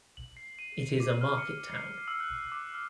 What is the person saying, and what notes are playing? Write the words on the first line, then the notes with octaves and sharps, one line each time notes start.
It is a market town.
F#7
C7
D#7
D6
F6
C#7
C7
E6
F#6
D6
F6